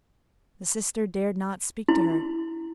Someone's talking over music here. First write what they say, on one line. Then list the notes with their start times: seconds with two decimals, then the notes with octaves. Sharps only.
The sister dared not speak to her.
1.88 E4